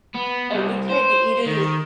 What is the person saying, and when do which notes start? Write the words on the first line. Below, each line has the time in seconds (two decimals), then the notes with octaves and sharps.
And we tried to eat it as
0.14 B3
0.54 C2
0.90 C5
1.46 D#3